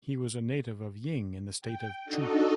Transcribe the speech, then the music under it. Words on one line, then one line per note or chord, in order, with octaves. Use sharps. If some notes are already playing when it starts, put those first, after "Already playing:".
He was a native of Ying in the State of Chu.
G5
D4 D#4 F#4 A4 D#5